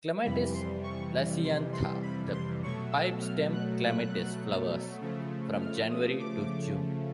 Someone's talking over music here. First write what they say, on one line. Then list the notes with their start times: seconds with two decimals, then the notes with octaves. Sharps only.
"Clematis lasiantha", the pipestem clematis, flowers from January to June.
0.24 F2 C3 E3 G3 B5
0.54 C6
0.83 C#6
1.43 C6
1.73 C6
2.02 B5
2.33 C6
2.63 B2 F#3 A3 C#6
2.92 E6
3.22 F6
3.52 F#6
3.81 F#6
5.01 C#3 F3 A3
5.61 F6
5.90 D#6
6.19 D6